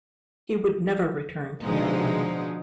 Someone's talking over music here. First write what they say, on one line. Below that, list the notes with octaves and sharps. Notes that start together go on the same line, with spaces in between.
He would never return to Maryland.
B2 D3 F3 G#3 D#4